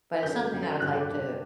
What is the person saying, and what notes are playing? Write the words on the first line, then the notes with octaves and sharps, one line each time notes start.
but it's something I would like to
F#2 D3 G6
F#2 D3
A6
G6
G2 D3 F#6
G5
D6
G2 D3